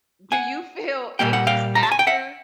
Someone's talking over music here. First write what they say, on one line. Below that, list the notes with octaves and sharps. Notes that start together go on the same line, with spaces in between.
do you feel anxious after?
F#5 G#5
A#2 G3 A#3 G5
F#5
F5 G5
A#5
A5
G#5
G5
E5 F#5